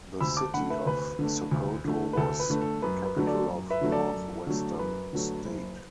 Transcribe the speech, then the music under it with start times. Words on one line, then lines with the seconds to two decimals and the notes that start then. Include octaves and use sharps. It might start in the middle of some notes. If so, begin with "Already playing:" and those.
The city of Sokoto was the capital of North-Western State.
0.20 D2 B5 E6
0.37 A5 D6
0.54 D3 A3 F#5 B5
0.70 B4 E5
0.86 D2 B4
1.19 D3 A3
1.51 D2
1.85 D3 A3
2.13 B4
2.17 D2 A4
2.40 B4
2.50 D3 A3
2.61 A4
2.82 F#2 B4
3.05 B4
3.16 D3 F#3 A3
3.26 A4 D5
3.48 F#2
3.70 B4 E5
3.81 D3 F#3 A3
3.92 A4 D5
4.13 F#2
4.47 D3 F#3 A3
4.79 F#2 B4
5.13 D3 F#3 A3
5.45 F#1